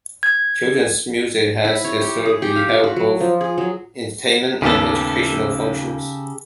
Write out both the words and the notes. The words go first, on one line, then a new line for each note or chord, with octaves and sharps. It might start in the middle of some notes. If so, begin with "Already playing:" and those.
Children's music has historically held both entertainment and educational functions.
G#6
E4
C#5
G4
G#4
G4
F5
F4
F#4
F#3
F3
G#4
F#3
G#1 D#2 C#3 B3 G4 A4